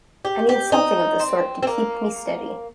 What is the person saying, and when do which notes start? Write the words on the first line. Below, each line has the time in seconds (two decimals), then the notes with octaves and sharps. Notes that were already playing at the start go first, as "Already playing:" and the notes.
I need something of the sort to keep me steady.
0.25 G4
0.49 G4
0.72 D#4
1.20 C4
1.63 C4
1.67 A#3